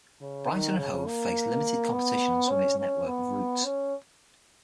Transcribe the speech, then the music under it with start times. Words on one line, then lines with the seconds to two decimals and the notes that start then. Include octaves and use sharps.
Brighton and Hove face limited competition on some of its network of routes.
0.21 C#3
0.49 D#3
0.78 C#3
1.07 A#3
1.92 B3
2.50 C#4
2.78 C#4
3.07 B3
3.64 C#4